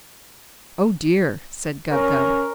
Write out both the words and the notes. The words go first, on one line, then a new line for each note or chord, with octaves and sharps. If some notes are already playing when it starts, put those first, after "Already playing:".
"Oh, dear!" said Gub-Gub.
C#4 A#4